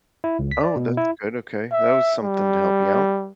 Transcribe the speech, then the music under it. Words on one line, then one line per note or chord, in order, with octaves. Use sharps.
Oh, that's good, okay. That was something to help you out.
E4
C#2
B6
D5
B2
E4
E5
G3